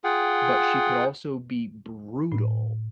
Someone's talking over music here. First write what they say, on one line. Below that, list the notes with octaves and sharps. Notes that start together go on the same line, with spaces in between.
but she could also be brutal,
F4 G#4 F#5 G5
A2